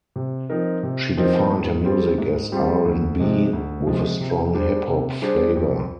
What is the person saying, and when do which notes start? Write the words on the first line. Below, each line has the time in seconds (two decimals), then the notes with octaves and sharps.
She defined her music as "R and B with a strong hip hop flava".
0.16 C3
0.50 F3 C4 D#4 A#4
0.83 C3
1.17 F3 C4 D#4 A#4
1.50 G#2
1.84 G3 C4 F4 G#4
2.18 G#2
2.52 G3 C4 F4 G#4
2.86 D2
3.20 C3 F3 G#3
3.53 D2
3.87 C3 F3 G#3
4.20 C3
4.54 G3 D4 G#4 C5
4.88 C3
5.22 G3 D4 G#4 C5
5.56 F2